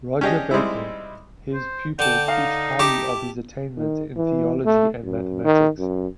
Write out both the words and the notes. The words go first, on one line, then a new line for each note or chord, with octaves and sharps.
Roger Bacon, his pupil, speaks highly of his attainments in theology and mathematics.
C#4 D4 G4 G#4 D#5
G3 G#3 C4 D#4 E4
C5
D3 G5 A5
D#4 D5 F5
E4 G4 A5 D6
D#3
E3
A3
F#2
D#3
F#2